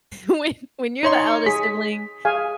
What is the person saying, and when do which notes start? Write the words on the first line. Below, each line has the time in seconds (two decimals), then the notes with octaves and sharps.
When when you're the eldest sibling,
1.03 D#4 C#5 C6
1.46 G#4 B6
2.25 G#4 F5 G#5